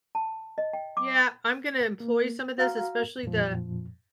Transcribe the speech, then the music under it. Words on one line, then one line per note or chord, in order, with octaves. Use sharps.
Yeah, I'm gonna employ some of this, especially the
A5
D#5
G5
D6
A#3
F#4 F5 A#5
F2 A#2 F3